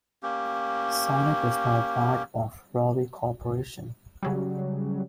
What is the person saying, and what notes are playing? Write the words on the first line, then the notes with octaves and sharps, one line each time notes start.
Sonic is now part of Rovi Corporation.
A#3 C#4 G4
C#3 F#3 G3